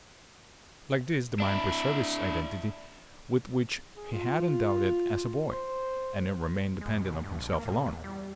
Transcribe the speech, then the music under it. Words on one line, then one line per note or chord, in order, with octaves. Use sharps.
Like this the mine preserved its identity, with which he had endowed it as a boy; and it remained dependent on himself alone.
D4 E4
G#4
F4
C5
G#3
F2
B2
G2
A#1
A#3
A#2
E2
G3